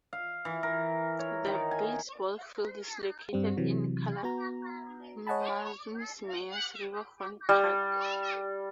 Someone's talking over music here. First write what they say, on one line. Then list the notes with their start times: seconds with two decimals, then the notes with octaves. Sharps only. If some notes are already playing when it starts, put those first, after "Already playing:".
The baseball field is located in Kalamazoo's Mayors Riverfront Park.
0.13 F5
0.45 E3
0.63 A#4
1.19 C#5
1.46 D#3
1.71 G#5
3.33 G2 G3 C4
3.57 C3 E3 F#3
4.23 B3 F#4 A#5
5.27 C#5 D#5 F#5 G#5 A5 B5
7.49 G3